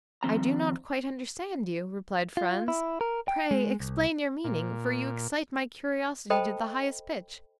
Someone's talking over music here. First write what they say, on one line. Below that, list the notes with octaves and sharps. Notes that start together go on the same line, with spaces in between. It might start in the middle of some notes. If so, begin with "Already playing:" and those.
"I do not quite understand you," replied Franz; "pray explain your meaning, for you excite my curiosity to the highest pitch."
D#3 F3 C4 A#5
F4
E4
A#4
G5
G#3
C2
A#2
A4 C5 D#5 G5 A5 B5